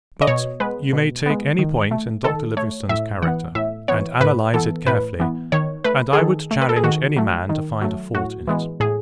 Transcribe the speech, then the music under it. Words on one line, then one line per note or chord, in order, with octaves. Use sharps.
But you may take any point in Dr. Livingstone's character, and analyse it carefully, and I would challenge any man to find a fault in it.
D#5
B2 C#5
G#3 B3 B4
B2
G#3 B3
D#3
A3
D#3 A4
A3 C#5
A2 E5
E3 B3 F#5
A2 E5
E3 B3 C#5
A2 B4
E3 B3 A4
A2 B4
E3 B3
D#3 C#5
A3 B4
G#4
D#3 A4
A3
B4
A4
G#4
D#3 F#4
F#3 A3
D#3
F#3 A3
A2 F#4
E3 G#3 B3
A2 G#4